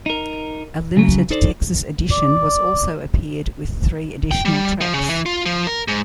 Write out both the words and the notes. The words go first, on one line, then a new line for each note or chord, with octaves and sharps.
A limited "Texas Edition" was also appeared with three additional tracks.
D#4 A#4
C#3 F#3
D#4 A4 C5 D5
D5
G5
G3
F3
C#3
E3
F4
F3
A#4
G#2